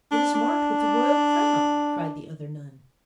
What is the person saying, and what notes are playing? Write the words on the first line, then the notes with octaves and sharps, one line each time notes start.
"It is marked with the royal crown!" cried the other nun.
D4
D4